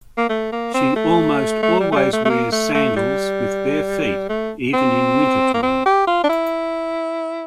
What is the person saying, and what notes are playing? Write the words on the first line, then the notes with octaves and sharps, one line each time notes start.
She almost always wears sandals with bare feet, even in wintertime.
A#3
A3
A#3
C4
A3
A3
G3
A3
G3
A3
A3
A#3
A3
A3
G3
A3
C4
A#3
C4
G4
F4
D4
E4